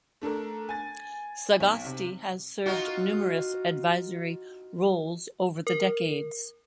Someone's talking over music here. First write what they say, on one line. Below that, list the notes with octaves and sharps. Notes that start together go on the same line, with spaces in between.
Sagasti has served numerous advisory roles over the decades.
A3 D4 A4 A#4
G#5 A6
B1
C3
D#4 F4 F#4
A#4